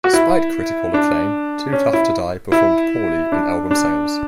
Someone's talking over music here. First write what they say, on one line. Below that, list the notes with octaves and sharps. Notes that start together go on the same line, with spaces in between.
Despite critical acclaim, "Too Tough to Die" performed poorly in album sales.
F#4
E4
D4
C#4
E4
E4
D4
D4